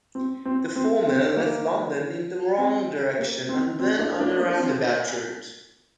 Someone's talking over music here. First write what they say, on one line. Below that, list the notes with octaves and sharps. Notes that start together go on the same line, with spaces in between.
The former left London in the wrong direction and then on a roundabout route.
C4
C4
C4
C4
A#3
C4
A#3
C4
C4
A#3 D4
A#3 D4
A#3 D4
C4
A#3